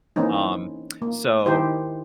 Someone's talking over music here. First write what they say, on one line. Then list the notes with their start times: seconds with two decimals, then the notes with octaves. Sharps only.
Um, so
0.16 E3 A#3 C4 C#4 D#4
1.02 A#3
1.46 D#3 D#4 E4 G4 C5